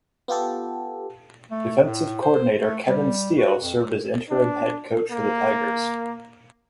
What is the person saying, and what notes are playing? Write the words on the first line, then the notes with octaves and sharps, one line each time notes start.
Defensive coordinator Kevin Steele served as interim head coach for the Tigers.
B3 F4 G4 A4
A3
A2
C5
A3
G3
F#4
F2
D4
A#3